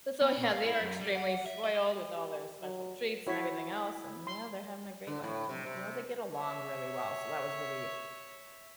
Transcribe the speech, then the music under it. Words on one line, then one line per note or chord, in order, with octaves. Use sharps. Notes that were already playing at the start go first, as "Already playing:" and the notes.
so, yeah, they are extremely spoiled with all their special treats and everything else, and yeah, they're having a great life, and you know, they get along really well, so that was really,
B3
A#2
F5
E4
F#2
G3
F#5
E5
D#5
G4
F#3
E4 F#4 C#5 B6
C6
D3
A2
C3
C3
C#5 E5